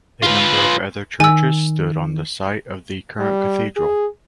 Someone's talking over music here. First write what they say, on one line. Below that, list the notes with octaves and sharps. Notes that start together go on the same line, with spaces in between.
A number of other churches stood on the site of the current cathedral.
F4 B4
D#3 G#5 E6
G3
G#4